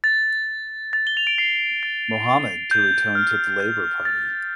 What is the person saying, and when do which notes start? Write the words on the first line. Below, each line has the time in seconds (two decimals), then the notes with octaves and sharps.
Mohamed to return to the Labour party.
0.04 A6
0.93 A6
1.07 G7
1.17 F7
1.27 D7
1.38 C7
1.83 A6
2.71 G6
3.15 F6
3.60 G6
4.05 A6